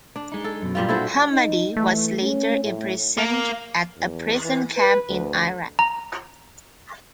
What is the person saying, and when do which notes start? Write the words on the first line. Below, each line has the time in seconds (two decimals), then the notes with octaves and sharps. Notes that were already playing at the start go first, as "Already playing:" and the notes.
Hammadi was later imprisoned at a prison camp in Iraq.
0.16 D4
0.32 G#3 D#4
0.44 A4
0.62 F#2 B2
0.75 A#2 G3 F4
0.89 A#2 D4 E4 F#4 A4 C5
1.31 D#4
1.77 E3 A3
2.21 C#4
2.63 A2
3.18 A#3
3.97 E2
4.42 E3
4.77 B4
5.09 D2
5.79 A#5